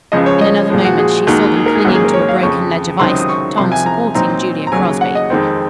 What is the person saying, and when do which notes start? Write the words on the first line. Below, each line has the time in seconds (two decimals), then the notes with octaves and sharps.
In another moment she saw them clinging to a broken ledge of ice, Tom supporting Julia Crosby.
0.12 C#2 C#3 F3 D#5
0.26 C#5
0.41 D#5
0.70 A#2 F3 G#3
0.85 F#4
0.99 G#4
1.27 D#2 D#3 G#3 D#4 F#4
1.56 G#4
1.66 A#4
1.75 G#4
1.84 G#2 D#3 F#3 A#3 C#4 F#4
1.95 G#4
2.05 A#4
2.13 C#5
2.29 F5
2.43 F2 C#3 F3 C#6
2.99 C#2 C3 D#3 F#3 C4 C6
3.10 D#6
3.20 D#6
3.29 C#6
3.58 C2 C3 F3 C6
3.72 G#5
3.86 A#5
4.15 A#2 F#3 C4 D#4 A#5
4.67 A#5
4.72 D#2 C#3 F#3 G#5
5.01 F#5
5.15 D#5
5.30 F2 D#3 G#3 C4